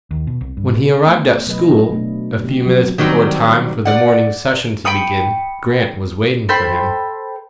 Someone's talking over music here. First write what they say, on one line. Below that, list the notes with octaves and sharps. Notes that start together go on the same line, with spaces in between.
When he arrived at school, a few minutes before time for the morning session to begin, Grant was waiting for him.
D#2
B2
C2
G2
B2
A3 B3
B2 F#3 B4 D#5
B2 A3 D4
C3 B3 G4
F3 F#3 F#4
D#3 F#3 G3 C4
D5 F#5
G5 B5 C#6 D#6
A4 C5 G5 B5